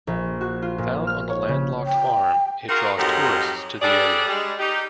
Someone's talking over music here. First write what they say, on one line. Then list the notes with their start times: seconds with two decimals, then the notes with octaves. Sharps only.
Found on a landlocked farm, it draws tourists to the area.
0.07 A#1
0.41 F#4
0.62 F4
0.78 A#2
1.07 F6
1.30 C#5
1.48 C#3
1.86 G5
2.69 D#4 F4 F#4 G#4 A#4
2.97 F2 G#2 F#3 D#4 G4 A#4
3.82 G3 D4 G#4 A4 D5
4.28 G3 G#3
4.59 D#4 G4